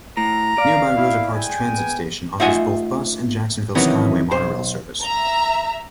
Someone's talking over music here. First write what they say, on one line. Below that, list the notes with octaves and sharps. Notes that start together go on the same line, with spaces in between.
Nearby Rosa Parks Transit Station offers both bus and Jacksonville Skyway monorail service.
A2 A#5
D5 F5
E4
G#3 G5 G#5
B3
A3 D#4 F4 E5 F#5 G#5
C3 D#3 E3 F#3 B3 C#4
B1 C5
E5 A#5